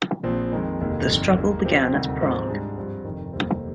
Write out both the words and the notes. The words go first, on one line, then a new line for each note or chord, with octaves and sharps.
The struggle began at Prague.
A#1 A#2 F3 C4
F2 D#3 G#3
F1 D#2 D#3 G#3
G1 F2 D#3
D#2 D#3 A#3
C3 F3 C4 G4
D2 C3 D#3 G3
G#2 F3 C4
G#2 G3 D4 G#4
G2 F3 C4
F1 F2 D#3
F1 D#2 D#3 G3 C4